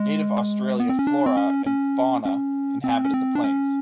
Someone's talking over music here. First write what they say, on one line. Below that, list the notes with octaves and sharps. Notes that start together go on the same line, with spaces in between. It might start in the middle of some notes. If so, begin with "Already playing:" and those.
Native Australia flora and fauna inhabited the plains.
Already playing: G#3
B3
C4
C#4
D4
C4
C#4
C#4
C#4
C4
C#4
C4
D4
C#4